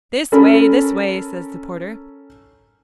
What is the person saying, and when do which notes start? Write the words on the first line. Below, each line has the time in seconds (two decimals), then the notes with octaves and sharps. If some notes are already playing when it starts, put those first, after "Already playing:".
'This way, this way,' says the porter.
0.32 C#4 A4 A#4 B5